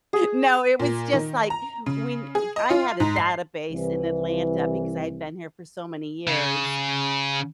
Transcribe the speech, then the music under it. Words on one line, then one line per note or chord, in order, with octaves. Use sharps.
No, it was, just, like, when I had a database in Atlanta because I've been here for so many years
G#4
A#2
D#3
A#5
C#3
G#4
D#5
F4
G#2
C7
C2 E3
C#3